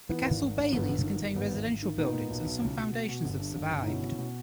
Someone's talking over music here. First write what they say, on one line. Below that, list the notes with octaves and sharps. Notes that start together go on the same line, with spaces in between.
The castle baileys contained residential buildings, and some foundations have survived.
E3 B3
G#1
G#1
G#2
G1 B3
G1
D#3
G1
G#1 B3
G#1
G#1
D#3
A#2 B3 D#4
A#2
B1
B1
C#2
B2
B2
B2
G1
G2
G1
G1
D#4
B2 C#4 E4
B2
B2